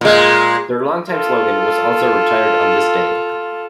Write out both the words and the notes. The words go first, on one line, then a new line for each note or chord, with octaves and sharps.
Their longtime slogan was also retired on this date.
A#2 G#3
F4 A4